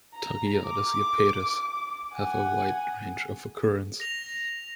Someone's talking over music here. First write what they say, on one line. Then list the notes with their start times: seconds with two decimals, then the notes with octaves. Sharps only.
"Tagiades japetus" have a wide range of occurrence.
0.14 A#5
0.66 D6
2.14 F#5 G#5
4.00 A#6 F7